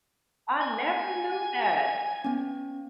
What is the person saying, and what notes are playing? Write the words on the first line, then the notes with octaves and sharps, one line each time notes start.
I never knew that.
G#5
B3 C#4